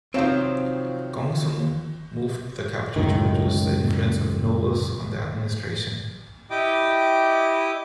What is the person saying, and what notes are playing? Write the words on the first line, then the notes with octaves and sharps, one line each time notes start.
Gongsun moved the capital to reduce the influence of nobles on the administration.
C3 D#3 F3 F#3 C4 C#5 F5
C#2 F#2 A2 D#3
E4 G4 D#5 G5 D6